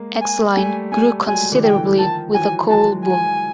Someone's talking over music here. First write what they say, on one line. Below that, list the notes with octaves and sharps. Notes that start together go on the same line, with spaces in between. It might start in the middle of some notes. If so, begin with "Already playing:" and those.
Exline grew considerably with the coal boom.
Already playing: G#3 A#3
G#5
G3 A3 G#5
G3 A3 G#5
F#3 G#3 G#5
D3 E3
G5
D3 E3
D#3 F3 A5
E3 F#3 G#5
F#3 G#3 A5
G#5